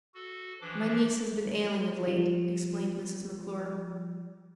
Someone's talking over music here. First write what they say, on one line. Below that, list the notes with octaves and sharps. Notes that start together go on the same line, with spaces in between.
"My niece has been ailing of late," explained Mrs. McClure.
F#4 A4
E3 F3 D4 D6
F3 G3